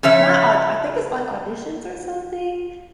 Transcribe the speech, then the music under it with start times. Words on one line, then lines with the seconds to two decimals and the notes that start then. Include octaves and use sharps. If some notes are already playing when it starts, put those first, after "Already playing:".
not au I think it's, like, auditions or something?
0.03 C#3 F3 C#5 E5